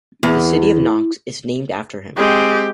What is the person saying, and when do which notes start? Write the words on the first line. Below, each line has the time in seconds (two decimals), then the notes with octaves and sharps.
The City of Knox is named after him.
0.23 E2
2.17 G#3 C4 G4